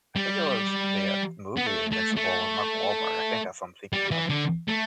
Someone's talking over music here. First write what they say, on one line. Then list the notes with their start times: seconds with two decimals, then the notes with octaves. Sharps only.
I think it was the, uh, movie Invincible with Mark Wahlberg. I think that's what I'm thinking of.
0.16 G3
1.57 B3
1.66 A3
1.92 A3
2.17 A3
3.93 G3
4.11 E3
4.30 D3
4.68 A3